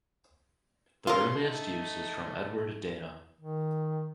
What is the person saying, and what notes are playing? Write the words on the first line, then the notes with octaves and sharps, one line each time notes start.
The earliest use is from Edward Dana.
C#4 F4 A#4 C6
A3 D#4
D#3